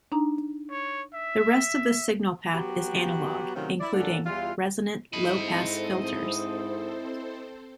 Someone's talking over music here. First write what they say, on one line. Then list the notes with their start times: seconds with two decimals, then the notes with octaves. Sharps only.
The rest of the signal path is analog, including resonant low-pass filters.
0.12 D4 D#4 A#5
0.70 C#5
1.14 E5
2.53 F#3 B3 F#4 G4
3.54 C3 D#3 F#3 A3 C#4 F4
3.80 E4 D5
3.93 A#2 A#3 C#4 D4 A4 F#5
4.25 E2 G3 E4 F4
5.13 G#2 C4 E4 A4 C5 D#5 B5